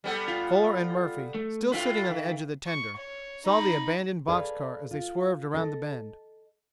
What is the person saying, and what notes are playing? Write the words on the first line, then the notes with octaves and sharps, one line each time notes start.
Fuller and Murphy, still sitting on the edge of the tender, saw the abandoned box-car as they swerved around the bend.
G3 B3 A4
F4
A3
A2 F4 B4 E5 G5
D#3
C#6
C#5
D#4 B5
G#4 A4 B4 D5 F5
F4
A4 D#5